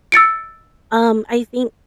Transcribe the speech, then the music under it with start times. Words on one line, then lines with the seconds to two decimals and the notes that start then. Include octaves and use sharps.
Um, I think
0.12 E6 A6 C#7 D7